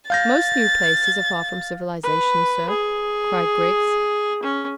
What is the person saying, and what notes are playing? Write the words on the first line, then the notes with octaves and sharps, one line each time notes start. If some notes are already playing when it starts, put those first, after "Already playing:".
"Most new places are far from civilisation, sir," cried Griggs.
F5 G6 A6 A#6
B4
G#4
C#4